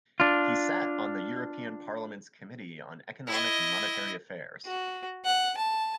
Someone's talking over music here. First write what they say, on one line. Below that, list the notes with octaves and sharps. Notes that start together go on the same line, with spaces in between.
He sat on the European Parliament's Committee on Economic and Monetary Affairs.
D4 F4
E4 D#5
F#4
F#5
A5